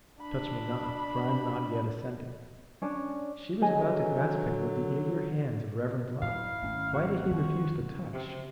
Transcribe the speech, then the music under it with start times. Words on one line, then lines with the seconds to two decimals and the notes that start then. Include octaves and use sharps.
"Touch me not, for I am not yet ascended." She was about to grasp him with the eager hands of reverent love: why did he refuse the touch?
0.22 D4 B5
2.82 C#4 D4
3.61 D3 F#3 G#4 D#5 G#5
6.22 F#2 B2 F#3 E4 F5
6.62 G#1 A3 C#4
6.92 C4 F#4
7.31 F#2 D#3 G#3
7.80 C#3
8.12 C3